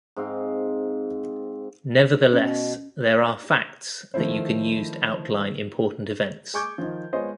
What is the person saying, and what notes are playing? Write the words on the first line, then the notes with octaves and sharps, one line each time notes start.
Nevertheless, there are facts that you can use to outline important events.
G#2 C4 F5
B2 C#4
D#3 F3 A3 E4 C5
G#4 G#5 C#6 D6 G6 G#6
D#3 F3
G#3 B3 F4 C5 C#5 D#5